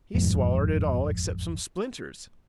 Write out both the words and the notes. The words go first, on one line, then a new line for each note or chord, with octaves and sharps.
He's swallered it all except some splinters.
D#1 A1 F2 G#2